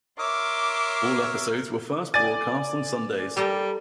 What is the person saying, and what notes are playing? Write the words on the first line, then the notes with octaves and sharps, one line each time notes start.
All episodes were first broadcast on Sundays.
A#4 C#5 E5 C6 D6
D5 G#5 A6 D#7
G3 G4 A4 A#4